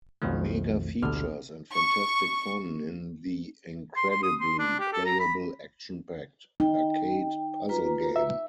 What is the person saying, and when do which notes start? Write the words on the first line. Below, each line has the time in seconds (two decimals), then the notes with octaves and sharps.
Mega features and fantastic fun in the incredibly playable, action packed, arcade puzzle game!
0.22 B1 F2 B2 D#3 F3 A3
1.02 A1 D2 B2 D3 F6
1.73 C#6
3.96 C6
4.10 C6
4.23 D#6
4.41 C6
4.59 D4
4.79 G4
4.92 A4
5.05 A#5
5.19 B5
6.60 D#4 G5
7.69 F4 B4 A#5
8.16 E5